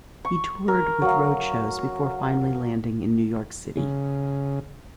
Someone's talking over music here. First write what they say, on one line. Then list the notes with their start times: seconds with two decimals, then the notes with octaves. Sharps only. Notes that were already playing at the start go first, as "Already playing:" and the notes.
He toured with road shows before finally landing in New York City.
0.25 C#6
0.68 A#4
1.02 F#3 F5
3.77 C#3